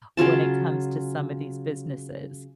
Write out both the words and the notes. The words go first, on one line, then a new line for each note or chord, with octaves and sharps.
when it comes to some of these businesses.
C#3 F#3 F4 A5